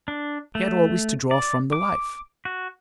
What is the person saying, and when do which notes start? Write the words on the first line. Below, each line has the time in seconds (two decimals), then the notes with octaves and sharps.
He had always to draw from the life.
0.08 D4
0.55 A3
1.31 D5
1.73 D6
2.45 F#4